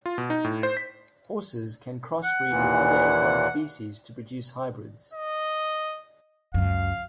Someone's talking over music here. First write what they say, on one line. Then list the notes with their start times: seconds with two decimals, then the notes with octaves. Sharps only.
Horses can crossbreed with other equine species to produce hybrids.
0.06 F4
0.18 B2
0.30 D#4
0.44 A2
0.63 C5
0.77 B6
2.24 F#5
2.49 D#2 A#2 E3
5.14 D#5
6.54 C#2 F#2 F5